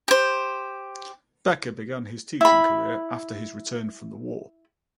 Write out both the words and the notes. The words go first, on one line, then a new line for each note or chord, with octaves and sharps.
Becker began his teaching career after his return from the war.
G4 C5
E4 B5